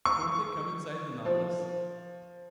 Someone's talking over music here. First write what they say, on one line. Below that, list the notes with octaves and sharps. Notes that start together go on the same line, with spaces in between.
"Won't they come inside the Nautilus?"
C#6
F3